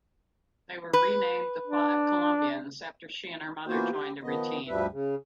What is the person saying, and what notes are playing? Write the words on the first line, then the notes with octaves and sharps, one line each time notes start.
They were renamed the "Five Columbians" after she and her mother joined the routine.
B4
D4
E3 A#3 B3 F4 F#4 C5
G4
D#3 F3 B3 D#5
D2 G2 F3 G3 B4 E5
C#3